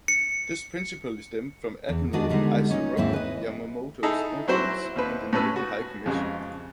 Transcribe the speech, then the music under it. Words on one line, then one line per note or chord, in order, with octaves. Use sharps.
This principally stemmed from Admiral Isoroku Yamamoto's influence in the Naval High Commission.
C#7
E2
D#3 G#3 B3 D4 F#4 D#5
D3 G3 G#3 B3 D#4
C#4 D#4
D#2 G#2 A#3 C4 E4 E5
B4 D#5
D#4 E4 G#4 A4
F#3 C4 E4 F#4 C5
D#2 C4 B4
A2 C#4 B4 E6
F#4
F2 C#3 G#3